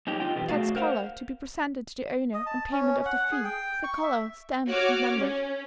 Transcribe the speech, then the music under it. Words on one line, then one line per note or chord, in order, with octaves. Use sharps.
A cat's collar to be presented to the owner on payment of the fee; the collar stamped and numbered.
F#2 C#4 D#4 G4
F#2 D3 A#3 F4 D#5 G5
E2 B2 B3 G4
A3 D4 F#4 G#4 D5 F5
A#4 C5 F5 F#5
D#5
A5
C#4
F#5
G#4
G5
C#6
E5
F#4 C#5 D6 F6
C#4